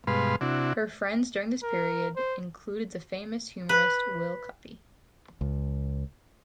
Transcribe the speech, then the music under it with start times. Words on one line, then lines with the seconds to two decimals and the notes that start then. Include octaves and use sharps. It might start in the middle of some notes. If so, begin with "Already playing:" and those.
Her friends during this period included the famous humorist Will Cuppy.
0.07 G2 B2 G#3 B4 F5 C6
0.41 C3 D4 E4 F#4
1.63 A#4
2.16 C5
3.69 B4
5.41 C#2